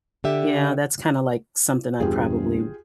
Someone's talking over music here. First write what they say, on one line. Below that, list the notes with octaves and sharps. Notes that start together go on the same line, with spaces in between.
Yeah, that's kinda like something I'd probably
D3 G4 E5
G1 E2 G2 C3 F4 G4 G#4